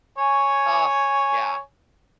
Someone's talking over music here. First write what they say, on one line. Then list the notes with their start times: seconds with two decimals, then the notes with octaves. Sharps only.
Ugh, yeah.
0.18 C#5 G#5